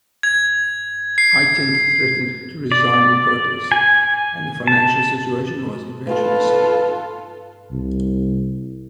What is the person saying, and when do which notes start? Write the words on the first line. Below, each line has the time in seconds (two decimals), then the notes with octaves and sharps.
Haitink threatened to resign in protest, and the financial situation was eventually settled.
0.23 G#6
1.18 C7
2.72 D5
3.72 G#5
4.67 A5
6.08 F4 A4 B4
7.72 C2